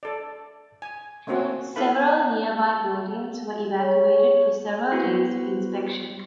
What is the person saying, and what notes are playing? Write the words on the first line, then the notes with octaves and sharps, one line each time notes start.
Several nearby buildings were evacuated for several days for inspection.
A4 D5
G#5
A3 A#3 C4 C#4 F#4
E4 A4 B4 F5 B5
C#5
B3 E4 F#4 B4 C5